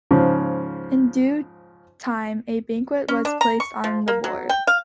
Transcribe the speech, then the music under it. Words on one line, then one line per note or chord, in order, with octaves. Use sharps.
In due time a banquet was placed on the board.
G#2 C#3 F3
C#4
D4
A#5
C#6
F3
A#3
F#3
G5
F5